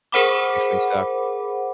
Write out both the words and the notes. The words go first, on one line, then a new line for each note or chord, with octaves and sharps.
Definitely suck.
G#4 A#4 C5 F#5 B5 D6